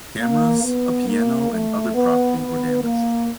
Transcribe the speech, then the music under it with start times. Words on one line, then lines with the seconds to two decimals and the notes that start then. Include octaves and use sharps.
Cameras, a piano and other property were damaged.
0.20 A#3
0.63 B3
1.07 A#3
1.51 A3
1.95 B3
2.38 B3
2.83 A#3